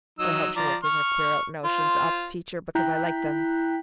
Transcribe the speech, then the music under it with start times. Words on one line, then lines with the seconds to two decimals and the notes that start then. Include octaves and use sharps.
But I hope she won't give her queer notions up, teacher, because I like them.
0.19 F#3 D#4 E6
0.56 F3 D5 A#5
0.84 C#6 F6
1.65 F4 C5
2.75 E4 G5 A#5 F#6 G6 B6